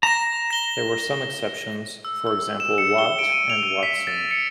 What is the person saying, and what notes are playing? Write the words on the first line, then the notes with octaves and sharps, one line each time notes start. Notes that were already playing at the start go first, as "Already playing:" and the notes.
There were some exceptions: for example "Watt" and "Watson".
A#5 A#6 E7
A#6 G7
E6
E6
E7
C#7
G7
D7
D#7
F7
B6
A6
C#7